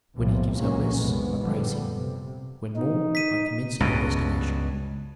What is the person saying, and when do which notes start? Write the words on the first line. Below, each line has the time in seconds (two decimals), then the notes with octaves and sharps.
When he gives out less, I praise him; when more, I commence an investigation.
0.17 F1 B1 A2 C3 F3 G3
0.54 C#2 A#2 C#3 F#3 A#3 C#4
0.98 F1 B1 C3 D#3 G#3 B3
1.37 F#2 A#2 D3 F3 G3 B3
1.96 C3
2.76 D#4
3.15 B6 D#7
3.80 C#2 G2 B2